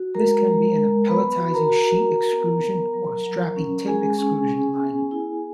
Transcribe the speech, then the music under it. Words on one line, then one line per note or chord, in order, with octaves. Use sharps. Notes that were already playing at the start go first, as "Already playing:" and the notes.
This can be in a pelletizing, sheet extrusion or strapping tape extrusion line.
Already playing: F#4
G#3 A#4 A#5
G#3
G#3
B3 B4 B5
F#4
A#4 A#5
F#4
F#4
B3
B3
F#3
F#3
C#4
G#3 G#4 G#5
C#4
C#4
B3
E4